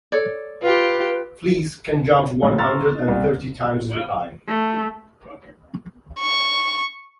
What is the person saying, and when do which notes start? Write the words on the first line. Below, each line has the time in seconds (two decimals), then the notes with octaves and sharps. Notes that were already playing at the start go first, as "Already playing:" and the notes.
Fleas can jump one hundred and thirty times their height.
0.12 A4 C#5 D5
0.62 F4 G4 B4
2.42 A#1 A2 D3
2.58 A#5 C6 C#6 E6 F6 A6
2.95 D#4
3.08 C2
4.47 A3
6.21 C#6